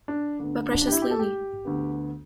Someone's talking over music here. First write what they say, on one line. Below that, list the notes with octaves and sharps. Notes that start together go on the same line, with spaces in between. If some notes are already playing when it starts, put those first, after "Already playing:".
My precious Lily!
D4
D2 D3 B3
D4
D4
G4
E4
G4
A4
G4
D2 D3 B3